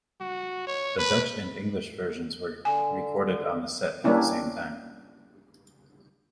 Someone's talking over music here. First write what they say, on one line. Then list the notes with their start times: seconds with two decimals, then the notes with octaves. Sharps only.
The Dutch and English versions were recorded on the set at the same time.
0.21 F#4
0.67 C#5
0.98 B4
2.65 D3 G#5
4.04 G3 A#3 C#4 D4 E4